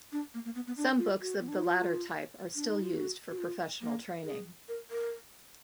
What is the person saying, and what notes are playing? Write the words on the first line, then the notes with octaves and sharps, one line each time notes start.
Some books of the latter type are still used for professional training.
D4
A#3
A#3
B3
B3
D4
F4
F#4
B3
D4
D#4
F4
D4
D#4
F4
F#4
F#4
F4
A#3
G#4
A#4
A#4